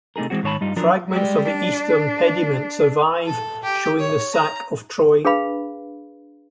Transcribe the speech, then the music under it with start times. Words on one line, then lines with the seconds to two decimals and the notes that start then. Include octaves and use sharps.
Fragments of the eastern pediment survive, showing the Sack of Troy.
0.16 C3 A3 D#4 G#4 A#4
0.30 E3 G#3 C4 F#4
0.43 G#2 D#3 C#5 A5 B5
0.61 G2 G3 D#4 F4
0.76 F3 F#3 D4 A#4
1.09 G3 G#3
1.47 D4
3.26 A4
3.63 G4
3.99 C#5
4.33 A#5
5.25 D4 G#4 B4 F5 B5